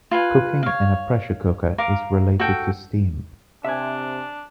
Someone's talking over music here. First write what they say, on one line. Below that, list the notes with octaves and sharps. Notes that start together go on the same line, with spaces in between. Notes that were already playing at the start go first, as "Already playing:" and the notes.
Cooking in a pressure cooker is related to steam.
F4 B4 G#5
C#5 F5
A#4 F5 D6
F#4 A4 G5
C3 D4 E5 G#5